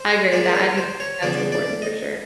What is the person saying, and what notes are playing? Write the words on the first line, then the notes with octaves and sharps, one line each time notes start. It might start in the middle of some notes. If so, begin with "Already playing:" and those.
I agree with that, I do that's important for sure.
Already playing: C5
A#2 F3 G#3 D5
C#5
C5
C#5
E2 C#3 F3 D5
D5
D#5